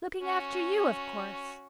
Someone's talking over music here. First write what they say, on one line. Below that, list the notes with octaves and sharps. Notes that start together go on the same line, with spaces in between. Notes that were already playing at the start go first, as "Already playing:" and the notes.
"Looking after you, of course."
C#4 F#4